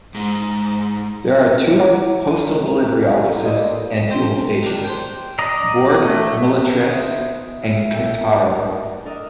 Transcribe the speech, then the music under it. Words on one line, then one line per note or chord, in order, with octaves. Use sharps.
There are two Postal Delivery Offices and Fuel Stations; Bourg Mulatresse and Cantaro.
G#2
E4 C#5 F#5 A#5 D6
C#2 D3 E3 F#3 G3
A#3 A4 B4 C5 D5 D#5
C4 C5
D#3 D4
C5 G5
D5 D#5 A#5
A3
D#4 C5 E5
B3
G#3 A3 E4 F4
A4 E5 G5 D6
D#4 D5
D4 A4 A#4 D5 D#5